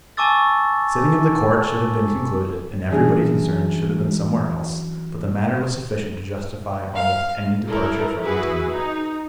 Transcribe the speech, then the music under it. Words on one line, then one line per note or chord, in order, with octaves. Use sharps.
The sitting of the Court should have been concluded, and everybody concerned should have been somewhere else, but the matter was sufficient to justify almost any departure from routine.
G#5 A5 C#6 D6 E6 A6
E3 F#3 G3 C#4 D4 G#4
F5
E4 A4 A#4
E4 F#4 G#4 B4
D#4